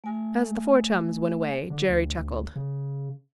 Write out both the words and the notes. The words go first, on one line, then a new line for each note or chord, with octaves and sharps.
As the four chums went away, Jerry chuckled.
A3 G#5
D3
D2
D2
C#3